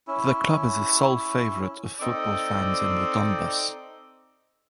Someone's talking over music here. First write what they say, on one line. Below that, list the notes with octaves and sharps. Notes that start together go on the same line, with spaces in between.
The club is the sole favorite of football fans in the Donbas.
C#4 E4
C4 D#4 A4 D5 D#5